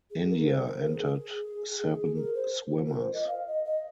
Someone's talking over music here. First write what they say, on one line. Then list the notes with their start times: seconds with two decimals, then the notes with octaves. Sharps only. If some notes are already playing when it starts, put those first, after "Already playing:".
India entered seven swimmers.
0.11 G#4
0.29 A#4
0.47 C5
0.66 A#4
0.85 G#4
1.04 G#4
2.15 A#4
2.34 C5
2.71 F4
2.86 A#4
2.99 C5
3.13 D#5
3.27 F5
3.46 D#5
3.65 D#5